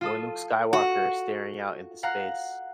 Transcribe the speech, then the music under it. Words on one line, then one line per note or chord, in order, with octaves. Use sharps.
when Luke Skywalker's staring out into space,
F4 A4 D#6
F#4
F5 F#5 A#5